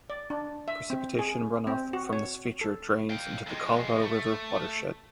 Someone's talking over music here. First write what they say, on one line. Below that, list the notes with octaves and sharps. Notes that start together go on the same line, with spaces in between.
Precipitation runoff from this feature drains into the Colorado River watershed.
D5
D4
E5
C4
G#4
C4
F#4
C#5
A4
F5 G5
F2 G#3
A3